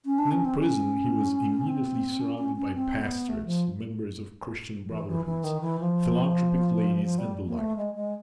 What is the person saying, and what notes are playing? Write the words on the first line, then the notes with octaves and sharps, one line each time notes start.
And in prison he was immediately surrounded by pastors, members of Christian brotherhoods, philanthropic ladies, and the like.
C#4
D4
C#4
C4
C#4
C4
C#4
C#4
C#4
C4
B3
A3
F3
E3
E3
E3
D#3
E3
F3
F3
G3
A#3
A3
G#3
G#3